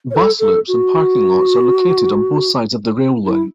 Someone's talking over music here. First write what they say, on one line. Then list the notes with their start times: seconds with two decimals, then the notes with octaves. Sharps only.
Bus loops and parking lots are located on both sides of the rail line.
0.10 C#5
0.15 A4
0.39 A4
0.68 F#4
3.26 E4